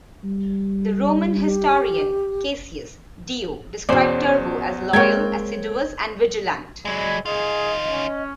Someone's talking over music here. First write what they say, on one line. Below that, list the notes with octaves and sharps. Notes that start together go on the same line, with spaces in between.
The Roman historian Cassius Dio described Turbo as "loyal, assiduous and vigilant."
G3
G4
E2 B2 C#4 C5 D5
G#3 A#3 C4 C#5 G5 G#6
F#3 G#3 D5 D#5 G#5 B5
D#3 F4 G#4 D#5
C#4